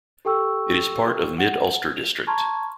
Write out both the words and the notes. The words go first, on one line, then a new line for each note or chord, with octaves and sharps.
It is part of Mid-Ulster District.
G4 A4 G5 C#6 E6
F#5
F7
A5 A#5 C6 C#6 F6 G#6